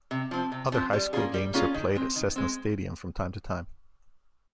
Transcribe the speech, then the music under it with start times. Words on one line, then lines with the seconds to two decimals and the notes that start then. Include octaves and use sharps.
Other high school games are played at Cessna Stadium from time to time.
0.11 C3
0.31 F3 C4
0.52 C3
0.72 F3 C4
0.93 G3
1.13 A#3 C#4 F4 G#4
1.34 G3
1.53 A#3 C#4 F4 G#4
1.74 D#3
1.95 G#3 C4
2.16 D#3
2.36 G#3 C4